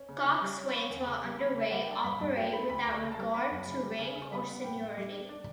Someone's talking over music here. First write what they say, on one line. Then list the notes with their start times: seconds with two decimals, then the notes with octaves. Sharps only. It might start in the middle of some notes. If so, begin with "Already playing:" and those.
Coxswains, while underway, operate without regard to rank or seniority.
Already playing: C#4
0.09 C#3
0.25 C#3
0.41 G3
0.57 C#4
0.70 B5
0.74 B3 C#6
0.90 E2
1.06 C#3
1.23 G3
1.39 C#3 B5
1.55 C#3 E5
1.71 G3 F#5
1.82 G5
1.87 D4
1.93 A5
2.04 G2 B5
2.20 G2 A5
2.36 F#3 G5
2.53 A3 B5
2.69 D2 B5
2.85 D2
2.91 C#6
3.01 C#3
3.12 A5
3.18 G3
3.34 B3 B5
3.50 F#2
3.66 C#3
3.83 G3
3.99 C#3
4.15 C#3
4.32 G3 B5
4.48 B3
4.64 A2 G5
4.80 A2
4.97 G3
5.13 D4
5.29 D4